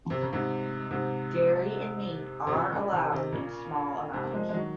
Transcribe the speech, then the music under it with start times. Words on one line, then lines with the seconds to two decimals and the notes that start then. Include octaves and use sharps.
Dairy and meat are allowed in small amounts.
0.10 C3
0.22 C#3
0.33 G#2 C3
0.91 G#2 C3
2.47 C3
2.52 A#2 C#3
2.72 A#2 C#3
2.92 C3 D#3
3.12 C3 D#3
3.32 A#2 C#3
4.13 G#2 C3
4.23 A#3
4.33 F3 G#3
4.49 G#3
4.53 D#3 F#3